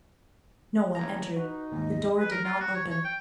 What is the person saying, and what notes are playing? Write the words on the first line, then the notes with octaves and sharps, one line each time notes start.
No one entered; the door did not open.
F#1 C#5 A#5
D#4 F#4 B4
D#2 G#2 D#5
B4
A#4
F4
F#4
C#5
C#5
G5